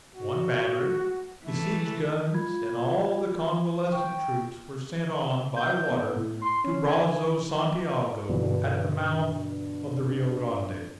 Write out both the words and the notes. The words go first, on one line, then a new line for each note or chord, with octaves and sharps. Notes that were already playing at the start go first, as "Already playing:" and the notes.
One battery, the siege guns and all the convalescent troops were sent on by water to Brazos Santiago, at the mouth of the Rio Grande.
F#4
E3 A3 E4
F4 B5 G#6
G5 C#6
G6
G6
B3
A2
C6
C#4
G#5
G2 B2 D3 E3